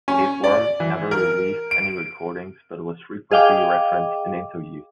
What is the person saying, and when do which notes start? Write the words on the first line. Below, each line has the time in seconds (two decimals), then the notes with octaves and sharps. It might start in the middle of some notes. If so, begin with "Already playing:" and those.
Tapeworm never released any recordings, but was frequently referenced in interviews.
0.08 C#4
0.44 D5
0.80 E3
1.11 A#4
1.71 D7
3.31 G#4 D#5 F5 G5 D6